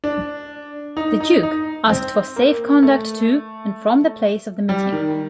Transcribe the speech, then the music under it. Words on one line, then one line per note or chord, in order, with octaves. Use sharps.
The duke asked for safe-conduct to and from the place of meeting.
D4
D#4
D#4
D#4
C4
A#3
A3
G3
D#3